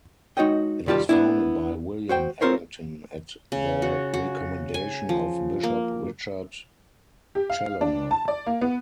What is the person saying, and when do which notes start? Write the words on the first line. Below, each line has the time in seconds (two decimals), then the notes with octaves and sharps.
It was founded by William Errington at the recommendation of Bishop Richard Challoner.
0.37 G#3 D#4 F#4 C#5 D#5 G5
0.86 C2 D#3 G3 F4 G4 A5
1.09 B3 D4 E4
2.09 F#4 C5 G5
2.41 C4 D4 F4 A#4 C5 C#5
3.52 C#3
3.82 F#4
4.14 F#4
4.74 G#5
5.09 F3
5.63 A#3
7.35 G4
7.50 F5
7.81 D4
8.11 A5
8.28 D5
8.46 A#3
8.61 B3